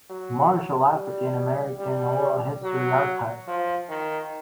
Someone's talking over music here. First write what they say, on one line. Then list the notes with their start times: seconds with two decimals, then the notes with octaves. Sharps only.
Marshall African American Oral History Archive.
0.10 F#3
0.94 G3
1.79 G3
2.63 F#3
3.47 F3
3.89 D#3